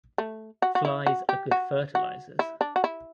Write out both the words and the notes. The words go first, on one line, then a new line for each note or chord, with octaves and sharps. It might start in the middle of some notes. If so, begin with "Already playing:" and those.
Flies are good fertilizers.
A3
F#4
F#4
E4
F#4
G4
F#4
F#4
E4
D4
F#4
E4